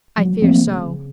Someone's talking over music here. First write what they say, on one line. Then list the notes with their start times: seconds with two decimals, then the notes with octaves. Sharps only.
"I fear so."
0.17 F#3
0.42 F3 A3 A#3 C4
0.67 C#3